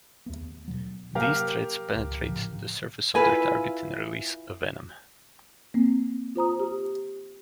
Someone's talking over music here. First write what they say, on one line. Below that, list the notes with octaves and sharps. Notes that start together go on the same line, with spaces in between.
These threads penetrate the surface of their target and release a venom.
D#2 A3 B3
B2 F#3
C3 F#3 A#3 G4 A#4 F5
G#1 C#2
A2 C#3 F3
E4 F4 B4 G#5
A#3 C4
F4 C5 A#5 D#6
G4